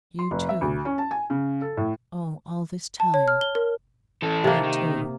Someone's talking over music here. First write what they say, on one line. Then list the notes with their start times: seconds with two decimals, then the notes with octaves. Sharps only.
"You too--oh, all this time, you too?"
0.19 C6
0.31 F1
0.49 E5
0.61 D2
0.85 C#4
0.98 A5
1.11 G#5
1.30 C#3
1.61 A4
1.77 A2
3.00 A5
3.14 C#5
3.28 F6
3.41 G7
3.55 A#4
4.22 E3 A4
4.44 C3 A#3
4.63 D#3